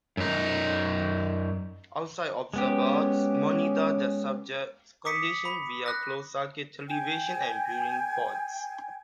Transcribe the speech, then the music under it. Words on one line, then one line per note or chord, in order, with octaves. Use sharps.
Outside observers monitor the subjects' condition via closed circuit television and viewing ports.
F#2 D#4
G#3 B3 C#4 G4
D6 D#6 B6 C#7
B5
F#6 A#6
G5 G#5